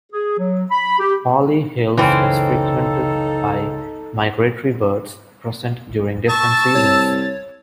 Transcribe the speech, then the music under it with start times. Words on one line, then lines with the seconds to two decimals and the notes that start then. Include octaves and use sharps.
Pali Hill is frequented by migratory birds, present during different seasons.
0.12 G#4
0.38 F#3
0.71 B5
0.99 G4
1.97 F#1 C#2 E3 C4 C#4 D#4 A4
6.29 A5 C#6 E6 A6
6.75 C2 C#5